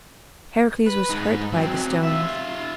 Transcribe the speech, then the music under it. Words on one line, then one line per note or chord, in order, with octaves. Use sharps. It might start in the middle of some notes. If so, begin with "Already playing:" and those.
Heracles was hurt by the stones.
B4
G#2 D#4
F#3 C4
F4 E5